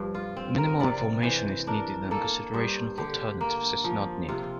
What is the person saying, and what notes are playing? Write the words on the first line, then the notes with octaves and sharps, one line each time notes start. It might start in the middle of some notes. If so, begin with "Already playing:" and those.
Minimal information is needed and consideration of alternatives is not needed.
Already playing: G2 F3
F4
C4
A#4
C3 D5
E3 C5
D4 A#4
A#3 A4
G2 C5
D3 G4
A#3
F3
C3 F4